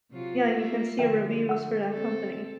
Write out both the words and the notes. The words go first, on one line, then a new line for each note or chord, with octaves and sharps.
Yeah, you can see reviews for that company.
C3 F#3 F4
A3 A#3 E4 F4
F#2 D3 F3 A#4 E5 G5
A3 F#5 E6
C4 A4